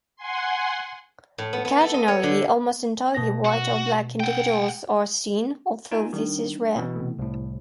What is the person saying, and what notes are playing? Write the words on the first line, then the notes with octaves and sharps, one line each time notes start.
Occasionally almost entirely white or black individuals are seen, although this is rare.
F#5 G#5 C6
A2
B3
B3
A4
D#5
C#5
D3
B2 A#6
F#4
F#5 G5
D#4 F4 G#5
D#3 G3 D4
B2 E3
C3 A3
C2 A2